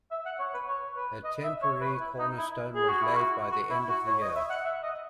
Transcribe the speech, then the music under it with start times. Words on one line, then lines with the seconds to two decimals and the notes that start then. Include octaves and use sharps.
A temporary cornerstone was laid by the end of the year.
0.11 E5
0.26 F#5
0.39 C#5
0.54 B4
0.67 C#5
0.96 B4
1.24 D#5
1.43 E5
1.62 C#5
1.81 B4
2.00 E4
2.19 D#4
2.38 E4
2.75 G#4
2.89 F#4
3.02 E4
3.15 F#4
3.51 F#4
3.70 E4
3.89 F#4
4.07 C#5
4.22 D#5
4.35 E5
4.50 F#5
4.64 E5
4.83 D#5